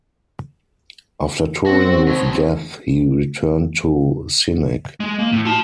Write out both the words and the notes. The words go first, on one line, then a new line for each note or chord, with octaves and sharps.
After touring with Death, he returned to Cynic.
C4 F#4
B2 C#5
G#3
A#3
A2
F4 A5